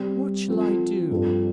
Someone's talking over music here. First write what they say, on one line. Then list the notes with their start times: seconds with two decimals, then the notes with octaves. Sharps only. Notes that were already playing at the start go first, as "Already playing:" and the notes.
"What shall I do?"
Already playing: C3 G3 C4
0.48 F3 C4 A4
1.11 G2 F3 C4 A4